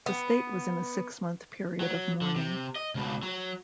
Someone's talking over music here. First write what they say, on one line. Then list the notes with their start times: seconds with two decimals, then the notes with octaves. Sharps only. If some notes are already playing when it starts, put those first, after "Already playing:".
The state was in a six-month period of mourning.
0.06 B3
1.80 F#3
2.21 D3
2.36 C3
2.76 D#5
2.95 C#2 B2
3.23 F#3